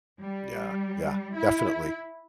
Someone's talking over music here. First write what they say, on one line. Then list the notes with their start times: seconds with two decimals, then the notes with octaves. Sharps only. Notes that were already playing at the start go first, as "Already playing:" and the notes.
Yeah, yeah, definitely.
0.20 G3
1.35 E4